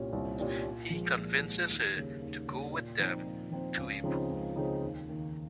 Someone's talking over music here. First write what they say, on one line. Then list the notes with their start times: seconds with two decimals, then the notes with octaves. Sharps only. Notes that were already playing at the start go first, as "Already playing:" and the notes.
He convinces her to go with them to a pool.
Already playing: C2 A#2 G3 C#4
0.13 C2
0.38 A#2 G3 C#4
0.65 A#2
0.90 F3 G#3
1.17 A#2
1.43 F3 G#3
1.69 D#2
1.95 C#3 G3 A#3
2.21 D#2
2.48 C#3 G3 A#3
2.73 A#2
2.99 F3 C4 D#4
3.26 A#2
3.51 F3 C4 D#4
3.77 C#2
4.04 C#3 F3 C4 D#4
4.30 C#2
4.56 C#3 F3 C4 D#4
4.82 D#2
5.09 D#3 A#3